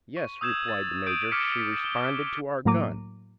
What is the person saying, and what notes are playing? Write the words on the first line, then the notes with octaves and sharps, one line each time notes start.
"Yes," replied the major; "she responded to our gun."
C#6
D#6 E6 G6 G#6 E7
A6
D#6 G6 D7 D#7
D6 F6 B6 C#7
G7
A2 F#3 A#3 A#5 D6 D#7